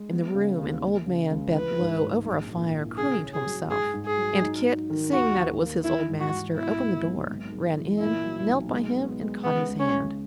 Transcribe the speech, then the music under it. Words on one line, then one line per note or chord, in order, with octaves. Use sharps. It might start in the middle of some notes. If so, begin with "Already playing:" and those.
In the room an old man bent low over a fire crooning to himself, and Kit, seeing that it was his old master, opened the door, ran in, knelt by him and caught his hand.
Already playing: G#3
B3
C#3
D#2
A#3
C#3
C#2
E3 B4
G#2
G#1
A#1
A#2
E4
C#3 G#4
C#4
G#4
F#3
G#2 G#4
G#2
G#4
F#3
D#4
D#4
D#3
D#2 F#4
D#2
A#3
E3 E4
G#2
F#4
G#2
B2 E4
A#3
B1
G#1
G#3
E3
A#2 E4
F#3
B1
G#3
B3
G#3
C#3 B3
C#2
C#4
C#3